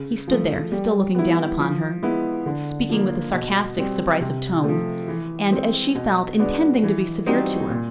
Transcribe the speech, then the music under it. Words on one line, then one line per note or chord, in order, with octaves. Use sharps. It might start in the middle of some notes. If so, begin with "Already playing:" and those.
He stood there, still looking down upon her, speaking with a sarcastic subrisive tone, and, as she felt, intending to be severe to her.
Already playing: C#3
F3 A3
G3
B3 E4
F3
G#3 B3 E4
D3
F3 A#3
B2
G3 C4
C3
F3 A3
E3
G#3 C4
B2
G#3 B3 D4
E3
G3 C4 D#4 F#4
A#2